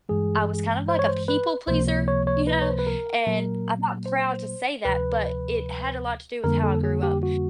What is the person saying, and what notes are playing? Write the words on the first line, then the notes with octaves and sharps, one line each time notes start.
I was kind of like a people pleaser, you know, and I'm not proud to say that, but it had a lot to do with how I grew up,
G2 E3 G#3 G#4
C5
C#5
C5
B4
C#2 C3 F3 A#3 C5
C#5
C#5
C#5
B4
C#5
C5
B4
A#4
A#2 F#3 A#3
C5
D2 C3 F3 B4
F2 D3 G3 A#3 A#4
A4
G#4
G4
F#4